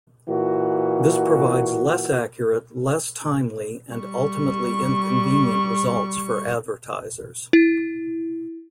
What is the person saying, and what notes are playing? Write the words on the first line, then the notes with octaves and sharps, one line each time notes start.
This provides less-accurate, less-timely, and ultimately inconvenient results for advertisers.
A#2 E3 F#4
G3 C#6
E4